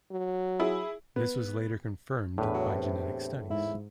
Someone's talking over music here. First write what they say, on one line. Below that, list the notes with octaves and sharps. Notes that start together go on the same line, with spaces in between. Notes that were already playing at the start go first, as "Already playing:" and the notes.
This was later confirmed by genetic studies.
F#3
E4 G#4
B3
E2 A2 D4 B4
F#3
C3
G#2 E4